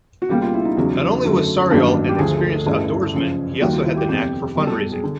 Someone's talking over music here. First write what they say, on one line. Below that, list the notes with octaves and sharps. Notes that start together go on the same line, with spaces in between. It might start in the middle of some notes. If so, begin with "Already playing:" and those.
Not only was Sauriol an experienced outdoorsman he also had the knack for fundraising.
F#4
C#2 B2 G3 A#3 G4
F4
E4
D#4
E2 C#3 F#3
F#2 D3 F#3 A3
C#4
A1 G2 D#3 F#3 A#3 D4
G4
D2 D3 F3 A3 G#4
A1 G2 E3 A3 G#4
F#2 C#3 F3
D#2 D#3 G3 A#3 F#4
F4
E4
G4
G1 F2 C3 G4
B1 B2 G3
A4
A4
G#4
D3